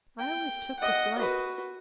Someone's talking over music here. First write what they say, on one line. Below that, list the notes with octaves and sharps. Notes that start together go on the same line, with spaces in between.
I always took to flight.
G5
D#5 F#5
F#4 B4